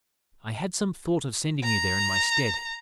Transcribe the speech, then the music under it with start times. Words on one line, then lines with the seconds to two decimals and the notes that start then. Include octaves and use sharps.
I had some thought of sending you there in my stead.
1.63 A#5